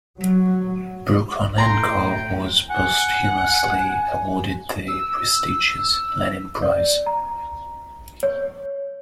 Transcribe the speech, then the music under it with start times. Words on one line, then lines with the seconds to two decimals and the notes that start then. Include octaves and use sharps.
Brukhonenko was posthumously awarded the prestigious Lenin Prize.
0.20 F#3
1.58 A2 G5 A#5 C6
2.70 F#5 G#5
4.88 E6
6.62 D5
7.06 A#5
8.23 C#5